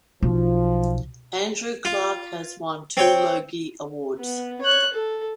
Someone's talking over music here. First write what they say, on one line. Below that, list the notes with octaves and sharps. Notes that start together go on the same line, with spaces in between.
Andrew Clarke has won two Logie Awards.
B1 F3
F4
C4 C#5 G5
B3
C#5 F#6
A4